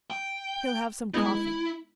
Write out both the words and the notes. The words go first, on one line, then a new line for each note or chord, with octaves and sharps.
He'll have some coffee.
G5
G#3 B3 D#4 E4